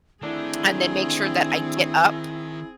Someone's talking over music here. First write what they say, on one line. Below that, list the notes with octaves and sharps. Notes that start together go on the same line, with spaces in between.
and then make sure that I get up
D2 D3 D#3 C4 D4 E4 G#4